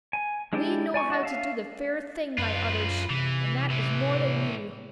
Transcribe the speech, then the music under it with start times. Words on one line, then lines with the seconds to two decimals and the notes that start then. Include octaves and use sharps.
"We know how to do the fair thing by others--and that is more than you!"
0.13 G#5
0.53 G#3 D4 E4 G4 D5
0.94 D5 G#5 C#6
1.10 F#4 D#5
1.23 E5 F5
2.38 F#2 F4 B4
3.10 C3 E3
3.70 A2 E3